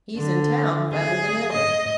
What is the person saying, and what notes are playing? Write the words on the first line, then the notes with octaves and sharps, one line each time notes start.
He's in town, fatter than ever.
D3
G#4
D#5